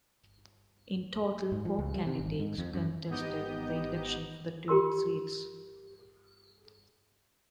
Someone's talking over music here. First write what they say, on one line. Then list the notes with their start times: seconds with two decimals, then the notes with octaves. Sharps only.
In total four candidates contested the election for the two seats.
1.52 G#2
1.65 F3
1.79 C#2
1.94 G3
2.06 C3
2.19 G#1
2.39 G#2
2.58 F2
2.74 F#2
3.09 G#1 B3 D#4 G4 D#5 G6
4.68 F4 G4 A#4 C6 E6